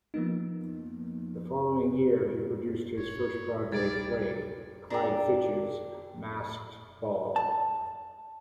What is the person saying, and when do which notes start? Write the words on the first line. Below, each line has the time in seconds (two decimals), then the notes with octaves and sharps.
The following year, he produced his first Broadway play, Clyde Fitch's "Masked Ball".
0.14 F3 A#3 B3 D#4
2.97 G2 E4 C#5
3.72 D2 C3 G3 D5 G#6 A6 D7
4.90 D4 G4 G#4 A#5
7.36 A5